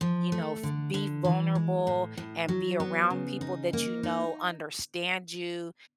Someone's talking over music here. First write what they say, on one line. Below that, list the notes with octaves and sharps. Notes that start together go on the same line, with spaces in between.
you know, f be vulnerable and be around people that you know understand you,
F3
A3
D3
D3
E3
G#3
A2
A2
F#3
B3
C#3
D#4
A#3
D#4